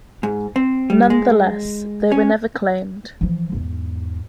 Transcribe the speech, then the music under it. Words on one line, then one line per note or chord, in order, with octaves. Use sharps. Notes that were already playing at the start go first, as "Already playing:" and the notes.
Nonetheless, they were never claimed.
G#2
C4
G3
G#3
C#4
E3 F3
E2 G#2